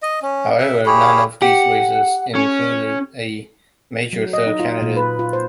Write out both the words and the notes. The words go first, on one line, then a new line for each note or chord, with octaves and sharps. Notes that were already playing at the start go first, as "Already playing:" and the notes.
However, none of these races included a major third candidate.
D#5
C#4
E5
E4 G4 G#4 C#5
G4 F#5
C#4
F#3
D#5
D#4
F4
A#2
B4
F4
C5